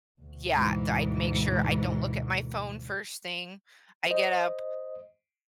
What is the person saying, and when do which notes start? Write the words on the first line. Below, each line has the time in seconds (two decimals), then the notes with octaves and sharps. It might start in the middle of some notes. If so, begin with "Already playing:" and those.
yeah, d I'd make sure I don't look at my phone first thing, I get up,
0.21 D2 B2
0.51 G#2 E3
4.06 C5 D#5